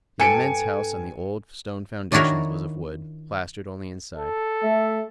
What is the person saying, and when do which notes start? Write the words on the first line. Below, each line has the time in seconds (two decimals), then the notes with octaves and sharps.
The immense house on the old stone foundations was of wood, plastered only inside.
0.20 G2 A4 G#5 C#7 D7
2.12 D#3 D4 E4 F#4 A#4 C#5
4.17 A4
4.63 A3 E5